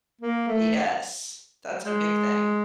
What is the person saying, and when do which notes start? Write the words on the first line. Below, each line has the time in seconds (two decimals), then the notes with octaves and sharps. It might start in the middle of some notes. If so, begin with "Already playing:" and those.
Yes. That's a big thing.
0.21 A#3
0.47 A3
1.84 G#3